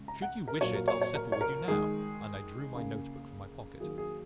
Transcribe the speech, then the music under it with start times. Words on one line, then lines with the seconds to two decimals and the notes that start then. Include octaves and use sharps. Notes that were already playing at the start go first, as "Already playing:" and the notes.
'Should you wish it, I'll settle with you now,' and I drew my note-book from my pocket.
Already playing: C#3 G#3
0.08 A#5
0.22 F#5
0.48 A#4
0.61 A#2 F#3 A#3 C#5
0.75 A#4
0.88 C#5
1.01 C#5
1.15 A#4
1.32 C#5
1.41 A#4
1.68 D#3 G#3 G#4
2.75 C#3 A#3
3.80 D#3 F#3 A#3 G#4
3.98 G#4